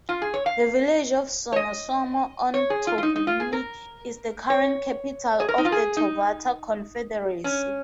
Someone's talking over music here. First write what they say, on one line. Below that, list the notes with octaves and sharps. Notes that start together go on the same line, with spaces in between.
The village of Somosomo on Taveuni is the current capital of the Tovata Confederacy.
F4
G#4
C#5
F5
C#5
D#5
C#5
G#4
F4
F4
D#4
D#4
F4
G#4
A#4
C#5
G#4
A#4
D#4
F4
G#4
D#4
C#4